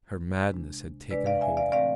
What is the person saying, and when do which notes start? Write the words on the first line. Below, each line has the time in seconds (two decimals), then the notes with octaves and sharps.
Her madness had taken hold of her.
0.50 C3 G#3 D4
1.10 C3 G#3 D4 B4 D5
1.26 D5 F5
1.41 E5 G#5
1.57 D5 F5
1.72 A2 E3 A3 C4 D5 F5